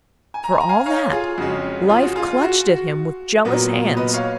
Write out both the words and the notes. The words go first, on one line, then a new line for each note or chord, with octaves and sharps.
For all that, life clutched at him with jealous hands.
G#5
A#5
G#5
A#5
F5 G#5
C#5 F5
F4 G#4
F2 C#3 G#3 C#4 F#4
F4
F#4
F4 G#4
F4
F#4
F#4
A#2 F#3 B3
B4 D#5
C#5 F5